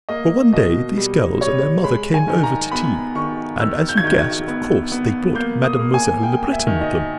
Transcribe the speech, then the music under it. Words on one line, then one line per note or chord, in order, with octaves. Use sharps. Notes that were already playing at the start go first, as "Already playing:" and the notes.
Well, one day these girls and their mother came over to tea, and, as you guess, of course, they brought Mademoiselle Le Breton with them.
A#3 D#5
B2 D#5
G3
G3 C#5
G#3 B5
G#5
D#3
A#5
B3 B5
D#3 C#6
D#3 E6
G6
G#6
D#3 G6
G#6
B3
B3
A#3 G6
D#6
A#3
G#5
A#3 G5
E5
D#3
D#5